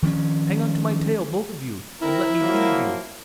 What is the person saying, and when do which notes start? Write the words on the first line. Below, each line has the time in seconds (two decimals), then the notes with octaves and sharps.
Hang onto my tail, both of you, and let me lead you.
0.02 D#3 F3 C4 C#4
2.01 C4 E4 A#4
2.41 F3 F#3 A#3